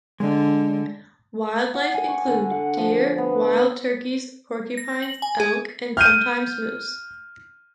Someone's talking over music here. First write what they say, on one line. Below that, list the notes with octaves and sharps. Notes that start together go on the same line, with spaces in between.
Wildlife includes deer, wild turkeys, porcupines, elk, and sometimes moose.
D3 G#3 D#5
F#5
G#5
C#6
D3
F#5
F3
B3
A#6
F#7
G#5
G#4
F6 G6 D#7